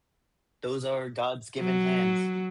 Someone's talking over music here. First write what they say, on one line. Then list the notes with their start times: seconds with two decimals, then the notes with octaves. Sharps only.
Those are God's given hands.
1.59 F#3